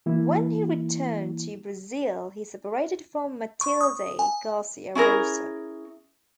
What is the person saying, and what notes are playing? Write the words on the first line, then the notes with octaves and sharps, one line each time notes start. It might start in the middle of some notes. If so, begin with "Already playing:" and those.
When he returned to Brazil he separated from Matilde Garcia Rosa.
E3 A#3 E4
C#6
D#6
G#5
C#4 E4 G#4 A#4